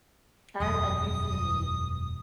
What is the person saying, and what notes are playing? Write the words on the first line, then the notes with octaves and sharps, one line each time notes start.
I I do see me,
E1 F#2 G3 D#6